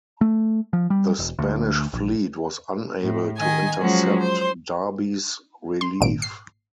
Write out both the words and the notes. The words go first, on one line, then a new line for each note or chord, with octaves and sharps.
The Spanish fleet was unable to intercept Darby's relief.
A3
F3
G3
E1
D2
A#1
A2
D#3 D#5 G#5
F3 F#3 G#3 C#4 F#4
C5
C6
G#1 A#2 D7
C7